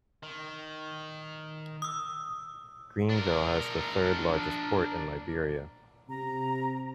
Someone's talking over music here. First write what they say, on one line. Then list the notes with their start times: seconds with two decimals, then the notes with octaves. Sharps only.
Greenville has the third-largest port in Liberia.
0.23 D#3
1.82 D#6 E6
3.09 D4 A#4
6.09 C3 A#5